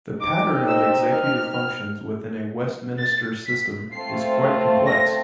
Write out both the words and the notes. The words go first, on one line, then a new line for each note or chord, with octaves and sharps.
The pattern of executive functions within a Westminster System is quite complex.
C4 D#4 G4 D6
E6
F6
A6
B6
A3 C4 F4 A4 C7
A#6